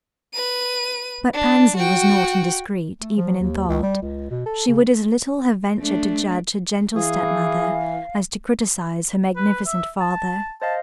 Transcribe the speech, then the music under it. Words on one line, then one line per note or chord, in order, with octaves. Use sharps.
But Pansy was not indiscreet even in thought; she would as little have ventured to judge her gentle stepmother as to criticise her magnificent father.
B4 D#7
D4
F#4 G5
A3
F3
D#2
C#2
G3
C#2
B2
A4
C#3
A3 D4
E3 G#4 F5
B4
E5
A5
C5 D#5 F5 A5